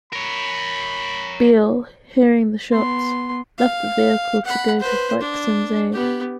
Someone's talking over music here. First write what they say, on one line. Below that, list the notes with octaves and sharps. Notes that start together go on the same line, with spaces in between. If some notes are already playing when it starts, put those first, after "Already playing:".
Beell, hearing the shots, left the vehicle to go to Fyksen's aid.
A#4 C#5 B5
B3 C6
F5
F#5 B5
B4 C5
D4
B3 G4